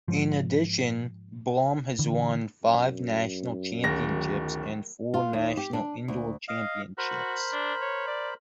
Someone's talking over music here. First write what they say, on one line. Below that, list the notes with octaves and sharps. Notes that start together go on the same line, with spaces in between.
In addition, Blom has won five national championships and four national indoor championships.
G#2 F3
D3 E3
F#2
D1 D#3 A#6
F4
D#2
G4
D4
D2
D#5 F5
F#4 A#4 C5 B5
D4
C#5
D5